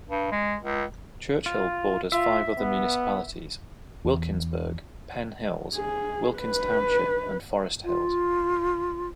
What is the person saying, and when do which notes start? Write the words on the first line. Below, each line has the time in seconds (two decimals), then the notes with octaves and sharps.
Churchill borders five other municipalities: Wilkinsburg, Penn Hills, Wilkins Township and Forest Hills.
0.09 G2
0.32 G#3
0.62 C#2
1.46 F4
2.12 F4 E5
2.58 B3
4.05 E2
5.75 G#4
6.38 B4
7.84 F4